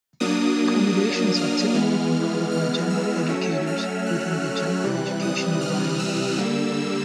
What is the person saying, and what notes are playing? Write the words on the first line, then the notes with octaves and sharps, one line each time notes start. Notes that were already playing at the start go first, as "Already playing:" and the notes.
Accommodations are typically provided by general educators within the general education environment.
F#3 A#3 D4 D#6
F6
E3 G#3 B3
F6
E6
F#3 A3 C#4
F6
F#6
C3 E3 G3
D#6
F6
E6
D3 G3 A#3